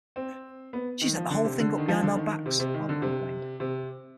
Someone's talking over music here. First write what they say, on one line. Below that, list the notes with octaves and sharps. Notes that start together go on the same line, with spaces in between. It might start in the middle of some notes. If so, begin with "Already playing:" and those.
"She set the whole thing up behind our backs," Albert complained.
C4
B3
D#3
F3
D3
C3
D3
D#3
F3
D3
D#3
C3
C3
D#3
D3
C3
C3